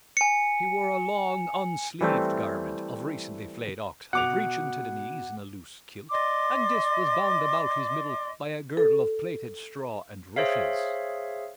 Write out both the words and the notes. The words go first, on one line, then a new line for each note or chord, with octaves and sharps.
He wore a long unsleeved garment of recently flayed oxhide reaching to the knees in a loose kilt and this was bound about his middle by a girdle of plaited straw and rushes.
G#5 C#7
E3 G3 A3 C4
B2 F#5 D6 F7
D5 D#5 C6 D6
A4
G#4 C5 C#5 E5 F5